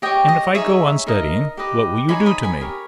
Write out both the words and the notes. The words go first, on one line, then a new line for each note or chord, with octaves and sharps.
"And if I go on studying, what will you do to me?"
G4 C#5 D#5 G5
D#5
D#4 G#4 C#5 E5
D#4 A#4 D#5
G4 B4 D#5
D#4 G#4 C#5 G#5 B5
B5 D#6
G#5 B5
G4 A#4 C#5